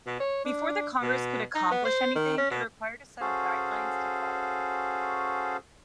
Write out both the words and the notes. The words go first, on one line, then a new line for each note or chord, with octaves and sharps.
Before the congress could accomplish anything, it required a set of guidelines to follow.
B2
C#5
D4
B2
D#4
B3
C5
D#3
C#4
B2
C#4 F#4 G#4 A4 C5 F5